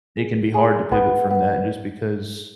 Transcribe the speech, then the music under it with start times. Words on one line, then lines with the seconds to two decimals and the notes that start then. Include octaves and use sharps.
It can be hard to pivot from that just because,
0.17 G#4
0.54 G#4
0.92 B3
1.31 B3